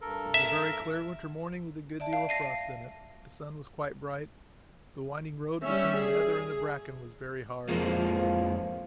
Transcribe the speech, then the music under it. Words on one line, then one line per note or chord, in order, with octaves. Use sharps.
It was a very clear winter morning, with a good deal of frost in it. The sun was quite bright, the winding road between the heather and the bracken was very hard.
G2 A4 A#4
E5
D5 E5 A5
F5
A#6 C7 D#7
G3 C#4 E5
G#4
F2 F3 G#3 A#3